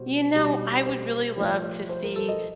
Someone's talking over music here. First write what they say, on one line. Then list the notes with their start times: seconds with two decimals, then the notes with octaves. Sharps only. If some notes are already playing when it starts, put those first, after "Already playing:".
You know, I would really love to see
Already playing: B2 G3 C5
0.33 B2 G3
0.86 C5
1.37 A2 F3 C#5
1.89 C5
2.03 A#4
2.16 A4
2.28 D#5